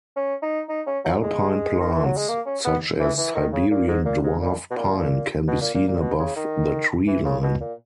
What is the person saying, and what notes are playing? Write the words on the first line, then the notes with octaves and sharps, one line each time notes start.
Alpine plants, such as Siberian dwarf pine can be seen above the tree line.
C#4
D#4
D#4
C#4
F#3
G#3
D#3
E3
F#3
G#3
A#3
C#4
B3
E3
E3
D#3
C#3
A#2
G#2
A#2
G#2
A#2
B2
A#2
B2
A#2
A#2
A#2
B2
C#3
D#3
E3
C#3
B2
A#2